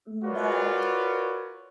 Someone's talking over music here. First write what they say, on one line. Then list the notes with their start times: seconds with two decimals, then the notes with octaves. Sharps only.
Mm, but
0.25 F4 F#4 A#4 B4 C#5 D5